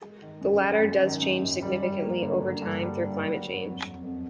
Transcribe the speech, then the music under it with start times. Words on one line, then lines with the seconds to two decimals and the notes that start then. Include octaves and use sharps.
The latter does change significantly over time through climate change.
0.02 G#3
0.22 D#3
0.41 F#2
0.61 G#3
0.82 F#2
1.02 D#3
1.22 F#2
1.42 F#2
1.62 G3
1.83 G3
2.03 A#3
2.22 D3
2.43 D3
2.62 G2
2.83 G3
3.02 G2
3.23 F#3
3.42 F#3
3.63 F2
3.83 F2
4.03 F2